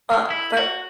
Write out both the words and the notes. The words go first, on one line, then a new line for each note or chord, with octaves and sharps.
Uh, for
G#3
E4
F#4